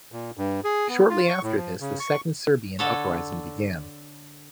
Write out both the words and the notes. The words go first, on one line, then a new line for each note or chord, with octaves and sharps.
Shortly after this, the Second Serbian Uprising began.
A#2
G2
G#4
B3
F4
C#6
A2
F3
C#3
C#6
D3 A4 C#5